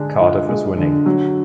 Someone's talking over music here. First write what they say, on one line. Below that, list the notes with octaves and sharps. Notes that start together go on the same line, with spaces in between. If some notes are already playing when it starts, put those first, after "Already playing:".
Cardiff is winning.
Already playing: D3 G#3 D4
F4
G#3
D3
F#3